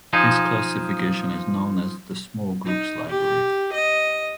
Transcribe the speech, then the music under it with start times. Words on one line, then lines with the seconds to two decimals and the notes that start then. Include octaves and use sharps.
This classification is known as the Small Groups Library.
0.13 F3 D#4 G#4
2.65 D#4
3.08 G4
3.72 D#5